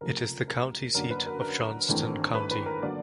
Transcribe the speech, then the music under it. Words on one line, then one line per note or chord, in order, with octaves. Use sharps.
It is the county seat of Johnston County.
C#2 C3 F3 A3 A#4
A#4
F#2 D3 F#3 A#3 A#4
B4
A#4
A#4
G#1 G2 E3 A3 C4
B4
B4
A#4
D3 F#3 A#3 D5